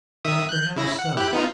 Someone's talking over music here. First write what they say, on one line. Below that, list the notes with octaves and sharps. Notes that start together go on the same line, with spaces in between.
Perhaps so.
D#3 E5 D#6
F#6 G6
C#3 E4 A#6
F#5
E4 G4 F#6
B3 D#4 F4